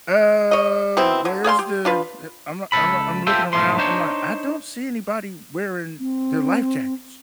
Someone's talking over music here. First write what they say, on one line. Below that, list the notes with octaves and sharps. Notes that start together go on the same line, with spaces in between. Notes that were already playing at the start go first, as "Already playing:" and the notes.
uh, where's the" e I'm I'm I'm looking around, I'm like, "I don't see anybody wearing their life jackets."
C#5 D#5
B2 C4 E4
D3 F#3
G#4 D5 F5 C6
G4
D4 F4 B4
C#2 A4 B5
F4 G4 A4 C5 E5 G5
B1 G#2 E3 A3 C6
D4 D#4 C5 C#5
C4